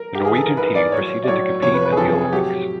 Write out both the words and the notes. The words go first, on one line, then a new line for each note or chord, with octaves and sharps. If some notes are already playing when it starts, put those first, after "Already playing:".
The Norwegian team proceeded to compete at the Olympics.
Already playing: A#4
G4
G#2 E3 G#4
A4
A#4
G#2 E3 B4
D5
A2 F#3 C#5
D5
A2 F#3 C#5
F2 C3 F3 C#5
B4
B4
G#4
F2 C3 F3 A4
G#4
A2 F#3 G4